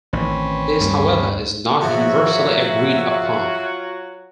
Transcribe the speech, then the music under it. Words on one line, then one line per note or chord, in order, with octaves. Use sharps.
This however is not universally agreed upon.
A1 D#3 C4 C#4 B4
D2 G2 G3
G#2 F3 F#3 C4 F4 F#4 E5